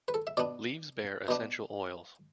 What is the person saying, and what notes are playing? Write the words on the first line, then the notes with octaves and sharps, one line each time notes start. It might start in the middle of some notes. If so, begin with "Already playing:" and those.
Leaves bear essential oils.
B4
A4
E5
B2 B3 D4 D5
B2 B3 D4